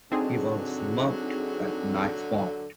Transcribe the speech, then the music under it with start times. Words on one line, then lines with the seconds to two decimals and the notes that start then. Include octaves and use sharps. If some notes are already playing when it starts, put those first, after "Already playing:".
He was mugged at knifepoint.
0.12 D3 F#3 C4 D#4 G#4